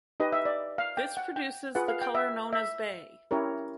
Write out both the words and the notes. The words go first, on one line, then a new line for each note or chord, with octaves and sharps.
This produces the color known as bay.
D#4 G4 B4 D#5
E5
D5
F5
G5
F#5
G5
F4 G#4 B4 F#5
F5
G5
E5
E5
C#4 E4 G4 A#4 C#5